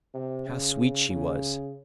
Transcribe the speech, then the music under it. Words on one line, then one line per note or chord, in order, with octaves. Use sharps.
How sweet she was!
C3
C#3
C#3